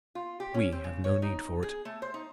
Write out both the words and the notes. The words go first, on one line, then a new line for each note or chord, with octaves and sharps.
We have no need for it.
F4
G4
C#4
C4
C#3
C#5
D#4
G#4
A3
C5
D#4